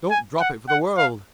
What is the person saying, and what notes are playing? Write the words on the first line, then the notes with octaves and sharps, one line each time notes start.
"Don't drop it for the world."
G#5
F#5
F#5
F5